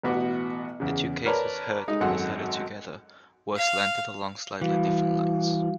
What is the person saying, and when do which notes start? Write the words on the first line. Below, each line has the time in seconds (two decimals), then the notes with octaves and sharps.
The two cases, heard and decided together, were slanted along slightly different lines.
0.03 A1 B2 B3 F#4 D6
0.80 E2 C#3
1.26 A#4 B4 C#5 D5 A5 A#5
1.88 G#3 D#4
2.00 G#1 F#2 A4 F#5 C6
3.56 F5
4.61 E3 G3 F#4 F5